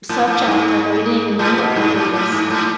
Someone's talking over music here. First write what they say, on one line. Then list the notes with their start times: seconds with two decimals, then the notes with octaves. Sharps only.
subject, like, we didn't even know that COVID was
0.09 A2
0.28 A2
0.47 G#2
1.39 A2
1.58 B2
1.76 G#2
1.95 A2
2.13 A2
2.32 G#2
2.51 A2